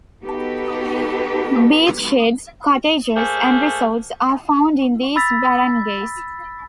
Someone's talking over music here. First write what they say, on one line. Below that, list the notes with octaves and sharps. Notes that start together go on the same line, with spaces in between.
Beach shades, cottages and resorts are found in these barangays.
B3 D#4 F#4 G4 A4 B4
A3 A#3 G#4 C5
B5 E6 A6 B6